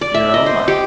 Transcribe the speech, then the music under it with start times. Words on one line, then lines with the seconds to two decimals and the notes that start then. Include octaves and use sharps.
your own mind?
0.01 D5
0.14 E5
0.34 D#5
0.46 C5
0.68 G4